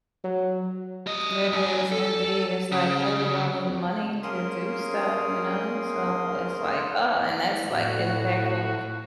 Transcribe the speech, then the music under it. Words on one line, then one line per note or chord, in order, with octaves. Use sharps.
It is, indeed, it's like, "Hey, we all need money to do stuff," you know? So, it's like, "Oh" and that's like impactful,
F#3
G3 D#5
G2 G#5
A4
C#3
A#3 C#4 G#4 A#4 C6 D#6
A2 F#4